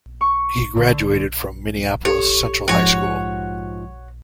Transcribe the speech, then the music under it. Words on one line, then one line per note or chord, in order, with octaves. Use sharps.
He graduated from Minneapolis Central High School.
C#6
D3
G4 A4 C#5
G#2 F3 F#4 C#5